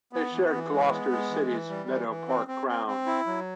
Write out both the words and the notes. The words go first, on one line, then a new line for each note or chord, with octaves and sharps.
They shared Gloucester City's Meadow Park ground.
B3
E3
E3
G#3
B3
G#3
E3
E3
G3
E3
E3
C4
C4
C4
C4
E4
F#3